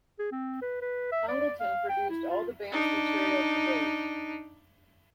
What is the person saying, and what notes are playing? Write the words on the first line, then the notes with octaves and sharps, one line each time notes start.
Congleton produced all the band's material to date.
G#4
C4
B4
B4
E5
D5
F5
G5
E4
F4
D4 D#4